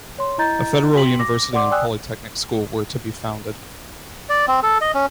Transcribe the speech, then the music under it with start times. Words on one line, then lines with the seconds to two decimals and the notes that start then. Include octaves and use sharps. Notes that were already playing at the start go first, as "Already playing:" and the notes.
A Federal university and a polytechnic school were to be founded.
0.18 C#5 C6
0.38 E4 D#5 A#5 G6 A6
0.95 F#4 G5 C6 B6 F#7
1.19 D6 A#6
1.53 D5 F#5 C6 D6
1.71 D5 G5 G#5 D#6 E6 F#6
4.29 D5
4.48 C4
4.63 A4
4.81 D#5
4.94 C#4